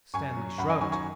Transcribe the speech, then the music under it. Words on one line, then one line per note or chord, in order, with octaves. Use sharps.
Stanley shrugged.
F#2 G#5 C#6
F#3
F#2 F#5 B5
D#5 G#5
D#3 F#3 G#5 C#6
G#5 C#6